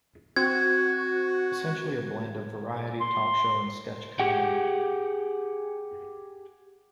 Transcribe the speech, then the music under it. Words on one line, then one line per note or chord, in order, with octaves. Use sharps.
Essentially a blend of variety, talk show, and sketch comedy.
C4 F#4 G#6
C6
G4 G#4 F#5 G5